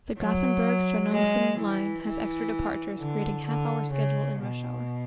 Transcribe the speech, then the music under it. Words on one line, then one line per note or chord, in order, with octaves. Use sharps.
The Gothenburg-Stenungsund line has extra departures creating half-hour schedule in rush hour.
F#3
G#3
E3
E3
D3
D3
C#3
B2